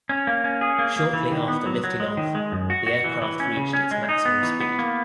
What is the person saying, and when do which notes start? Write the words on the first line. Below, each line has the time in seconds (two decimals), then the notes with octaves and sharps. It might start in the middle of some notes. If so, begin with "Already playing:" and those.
Shortly after lifting off, the aircraft reached its maximum speed.
0.09 C#4
0.27 A#3
0.44 C#4
0.61 G#4
0.79 A#3
0.96 A#3
1.13 E3
1.32 D#3
1.48 B3
1.66 F#3
1.84 F#3
2.00 G#3
2.17 D#3
2.35 G#3
2.52 F#2
2.70 F#4
2.87 F#4
3.04 E3
3.22 E3
3.40 C#4
3.57 C#3
3.73 C#4
3.91 G#3
4.09 D#4
4.25 B3
4.43 E3
4.61 B3
4.79 A#3